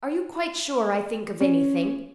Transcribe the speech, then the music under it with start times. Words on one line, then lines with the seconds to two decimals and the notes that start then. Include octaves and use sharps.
"Are you quite sure I think of anything?"
1.40 C#4